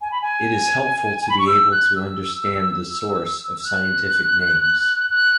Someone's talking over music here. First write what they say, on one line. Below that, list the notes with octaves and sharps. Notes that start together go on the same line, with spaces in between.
It is helpful to be able to understand the source of scientific names.
G#5
B5
G#5
G#5
B5
C#6
E6
F#6
E6
F#6
F#6